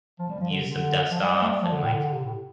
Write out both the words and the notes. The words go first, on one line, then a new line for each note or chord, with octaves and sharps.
used some Dust-Off and, like,
F3
G3
F3
D3
C3
D3
F3
G3
G3
A3
G3
F3
D3
A2
D3
D3
C3
A2